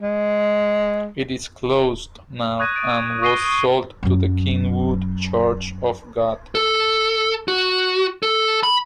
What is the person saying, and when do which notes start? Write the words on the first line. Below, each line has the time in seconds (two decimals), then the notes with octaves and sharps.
It is closed now, and was sold to the Kingwood Church of God.
0.01 G#3
2.59 C#6 D#6 F#6 G#6 A#6 D#7
2.76 A6 D7
3.22 C#6 D#6 A#6 C7 D#7 G7
4.03 F#2 F#3
6.55 A4
7.48 F#4
8.23 A4
8.63 B5